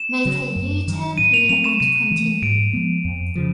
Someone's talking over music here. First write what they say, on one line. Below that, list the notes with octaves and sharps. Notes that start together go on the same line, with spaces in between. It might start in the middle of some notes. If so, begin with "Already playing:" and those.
Make a U-turn here and continue.
Already playing: E7
C#3 F#3
F#2
D#3 F#3
A2 D#7
F7
F#3 A3 C4 F7
E7
C3 D#7
E3 A3
G#2 D7
F3 G#3 B3
F2
C#3 F3